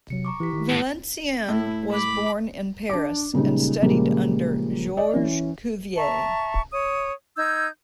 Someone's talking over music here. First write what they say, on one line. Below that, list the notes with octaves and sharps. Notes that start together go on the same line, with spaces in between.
Valenciennes was born in Paris, and studied under Georges Cuvier.
C3 F#3 C#7
A#5 C#6 D6
E3 E4 G4 B6
D#3
A2
A2 E4
B5 D6
D4 D6
A#2 C#3 G3 G#3 D#4
A#2 C#3 F3 G3 G#3 A#3
D5 D#5
E3 C#4
E5 A5 A#5 C#6
C#5 D#6
D#4 E6 G6 G#6